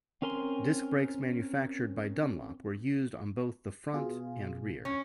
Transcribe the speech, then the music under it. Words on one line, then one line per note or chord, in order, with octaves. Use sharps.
Disc brakes manufactured by Dunlop were used on both the front and rear.
C4 C#4 A#4 G#5 C6
B2 F4 G#4
C#4